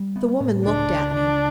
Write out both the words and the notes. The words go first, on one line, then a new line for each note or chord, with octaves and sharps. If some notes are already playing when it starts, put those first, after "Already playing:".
The woman looked at me.
Already playing: G3
B3
A2
C#2 D4
C#2
C#2 D4